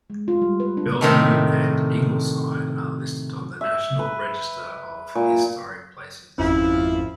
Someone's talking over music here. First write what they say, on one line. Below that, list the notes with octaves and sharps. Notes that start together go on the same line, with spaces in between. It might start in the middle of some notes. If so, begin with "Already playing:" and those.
Belleview and Ingleside are listed on the National Register of Historic Places.
G#3
F4
G3
B4
D4
A2 C3 D#3 A3
E5
B4
A#2
G#1 F2 F3 C4 C#4 E4